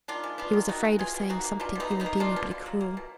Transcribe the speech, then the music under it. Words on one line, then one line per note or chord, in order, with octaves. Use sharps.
He was afraid of saying something irremediably cruel.
D#3 D4 F4
G#3
B3 D4 F4
D#3
D#3 D#4 F#4
G#3
B2 F4 G#4
B2
A#3 D#4 F#4
A#3
B2 D4 F4
B2 B3 D#4
A#3
B3 D#4
A#3
A#3 D4 F4
B2
B2
F#3
A#3
B2